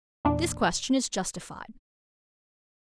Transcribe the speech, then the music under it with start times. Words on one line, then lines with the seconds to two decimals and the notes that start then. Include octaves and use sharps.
This question is justified.
0.25 E2 A#2 D4